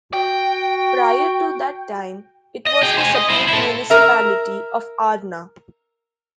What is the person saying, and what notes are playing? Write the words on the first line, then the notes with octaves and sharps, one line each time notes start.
Prior to that time, it was the separate municipality of Arna.
F#4 G5
D#5
G#4 G5
C5 G#5
D#5
E4 C5
E4 A4
A#4 E5